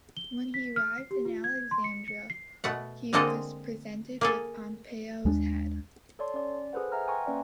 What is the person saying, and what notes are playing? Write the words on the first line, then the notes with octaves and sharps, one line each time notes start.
When he arrived in Alexandria, he was presented with Pompey's head.
G7
B6
F6
C7
G4
F4
G#6
C6
C#7
C#7
C7
B2 A3 F#5
D3 G#3 A#3 C4 A4 D#5
A#3 G#4 A4
D#2 G#3 A#3 D4
A4 C#5 D5 A5 C6
C#4 D5
G#4 A4 B4 C5 F#5
B4 E5 F#5 G#5 A#5 F6
G5 G#5 A#5 C6 C#6
A#3 C#4 B4 D5 E5 G#5